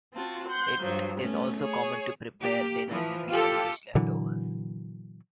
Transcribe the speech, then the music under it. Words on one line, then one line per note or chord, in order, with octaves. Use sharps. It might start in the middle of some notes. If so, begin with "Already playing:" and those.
It is also common to prepare dinner using the lunch leftovers.
C4 F4 F#4 A5
F#5 C6 G6
G2 F3 F#3
A3 B3 C#4
G#4 C#5
A#3 G4
E3 F3
F4 G4 A4
A#2 D3 E3 F#3